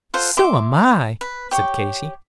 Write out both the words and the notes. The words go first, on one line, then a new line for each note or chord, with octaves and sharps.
"So am I," said Katy.
F4 A4 C5 F#5
E5 C6 D6
B4
G4 C#5